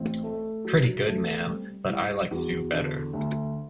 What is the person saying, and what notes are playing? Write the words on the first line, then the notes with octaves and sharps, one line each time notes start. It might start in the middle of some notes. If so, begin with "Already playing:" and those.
Pretty good, ma'am; but I like Sue better.
Already playing: A1 C4
A3
F#3
A3
G3 C4
G3 E4
E2 F#4
D3
D2